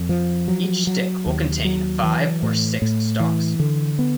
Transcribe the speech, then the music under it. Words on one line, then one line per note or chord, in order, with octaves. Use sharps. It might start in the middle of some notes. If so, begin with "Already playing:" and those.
Each stick will contain five or six stalks.
Already playing: F2
F3
F#3
F#3
D#2
F#3
E3
A2
A2
E3
D3
B3